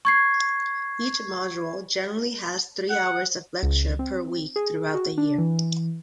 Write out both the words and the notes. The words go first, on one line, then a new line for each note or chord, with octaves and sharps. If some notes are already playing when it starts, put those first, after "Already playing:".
Each module generally has three hours of lectures per week throughout the year.
C#6 G#6 C7
F#5
C#2
C4
G#4
F#4
D4
E3